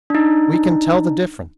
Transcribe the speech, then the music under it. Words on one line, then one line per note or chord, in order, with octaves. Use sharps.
We can tell the difference.
D4 D#4